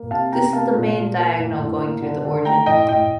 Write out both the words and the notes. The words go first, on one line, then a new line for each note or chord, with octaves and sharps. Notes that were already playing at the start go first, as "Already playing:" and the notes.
This is the "main diagonal" going through the origin.
Already playing: A#3
C3 F5 A5
C3 G5 A#5
A#3 F5 A5
A#2
A#2
A#3
A2
A2
A#3
D3
D3
A3 G5 A#5
A2 D#5 G5
A2 D#5 G5